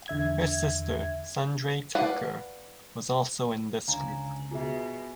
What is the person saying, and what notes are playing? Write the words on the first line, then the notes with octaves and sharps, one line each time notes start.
Her sister, Sundray Tucker, was also in this group.
E2 D3 E5 G#6
B4 D5 F5 F#5 A5
C#2 D3 F5 G#5 A#5
B2 F4 G#4 E5 G#5